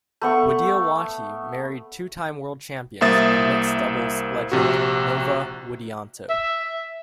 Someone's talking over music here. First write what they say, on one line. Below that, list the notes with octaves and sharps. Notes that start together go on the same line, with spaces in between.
Widiowati married two-time world champions and mixed doubles legend Nova Widianto.
A3 B3 C#6
C2 A#3 C5 E5 D#6 A6
A#1 C3 F#4
E5